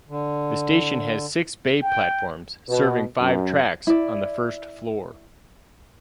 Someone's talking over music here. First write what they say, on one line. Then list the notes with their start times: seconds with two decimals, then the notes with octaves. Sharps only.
The station has six bay platforms serving five tracks on the first floor.
0.09 D3
1.82 G5
2.69 B2
3.20 F#2
3.87 E4 D5